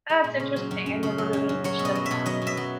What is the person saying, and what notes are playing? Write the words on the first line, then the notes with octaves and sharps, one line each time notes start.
That's interesting. I never really understood that.
G#3
A#2
C#3
F#3
F#2
F#2
C#3
F#3
F#2
F#2
F#3 C#5
B2
D#5
F#3
E5
B2
F#3 D#5
B2
E5
F#3